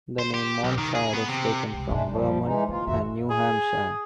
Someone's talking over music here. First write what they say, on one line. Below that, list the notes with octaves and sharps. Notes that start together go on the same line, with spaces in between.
The name Montshire is taken from "Vermont" and "New Hampshire".
C5
G4
B1
D#3
G#4
B3
C3
C2 G#3
B1 F#2 G#3 A3 D4
F3 G3
E3 G#3 D#4
D3 A#3 F4
F#2 D#3 F#4 E5
G#4